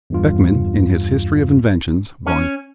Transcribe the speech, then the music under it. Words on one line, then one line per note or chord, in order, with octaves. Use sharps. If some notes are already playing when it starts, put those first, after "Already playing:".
Beckmann, in his History of Inventions, Vol.
E2 G2 F4
C#4